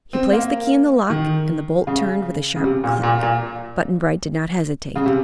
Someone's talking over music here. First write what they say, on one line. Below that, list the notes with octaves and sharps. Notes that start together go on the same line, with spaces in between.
He placed the key in the lock and the bolt turned with a sharp click. Button-Bright did not hesitate.
C4
A#3
D#3
C#3
C#3
C3
A#2
A#2
A#2
C#3
C3